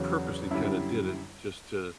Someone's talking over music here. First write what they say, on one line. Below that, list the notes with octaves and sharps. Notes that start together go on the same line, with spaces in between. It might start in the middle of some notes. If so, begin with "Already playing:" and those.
purposely kinda did it just to
Already playing: E2 C#3 F#3
F#2 D3 G3 E4